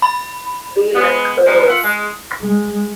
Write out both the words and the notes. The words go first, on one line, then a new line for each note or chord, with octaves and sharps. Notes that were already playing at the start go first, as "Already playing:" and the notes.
Be Like a Rose!
B5
G#3 B3
D#3 F3 G3 G#3 B3
F4 E5 F#5
G#3
G#3